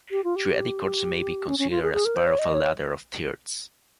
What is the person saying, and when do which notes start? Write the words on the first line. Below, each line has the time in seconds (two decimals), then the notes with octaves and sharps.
Triadic chords may be considered as part of a ladder of thirds.
0.11 G4
0.24 F4
0.36 G4
1.48 C#4
1.59 C#4
1.70 F4
1.82 G#4
1.93 G#4
2.05 A#4
2.16 C5
2.27 C#5
2.39 D#5
2.54 C#5